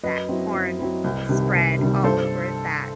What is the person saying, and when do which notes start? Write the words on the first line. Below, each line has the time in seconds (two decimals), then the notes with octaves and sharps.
that corn spread all over that
0.04 F#2 B4 D#5
0.29 F#3 C4 E4
0.54 F#2
0.79 F#3 C4 E4
1.04 C2
1.29 C3 D#3 G3
1.55 C2
1.79 C3 D#3 G3
2.04 G2 A4 C5